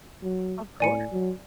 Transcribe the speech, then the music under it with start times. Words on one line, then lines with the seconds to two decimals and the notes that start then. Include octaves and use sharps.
Of course.
0.23 F#3
0.80 A2 D5 G#5 C#7
1.12 F#3